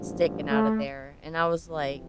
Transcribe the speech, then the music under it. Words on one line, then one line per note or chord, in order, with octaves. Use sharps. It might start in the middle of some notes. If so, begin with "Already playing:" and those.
sticking out of there. And I was like
Already playing: A1 G2 D3 F3
A3
F2 C3 E3